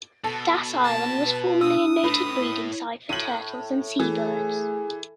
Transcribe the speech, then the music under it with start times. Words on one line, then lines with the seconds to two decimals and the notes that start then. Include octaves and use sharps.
Das Island was formerly a noted breeding site for turtles and seabirds.
0.24 B2 A4
0.84 A5
1.25 B4
1.61 D4 D#6 E6
2.04 A2 B4
2.40 E4
3.09 A2 D#7 F#7
3.99 E3 A3 G#4